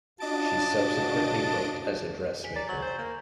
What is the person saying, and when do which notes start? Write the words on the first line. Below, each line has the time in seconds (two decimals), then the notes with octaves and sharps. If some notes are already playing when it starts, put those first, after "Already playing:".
She subsequently worked as a dressmaker.
0.20 C#4 D4 F4 F#4 D#5 A5 D7
2.44 G#5 B6
2.56 D5 A#5
2.69 F#3 C#6 F#7
2.82 C5
2.98 A#3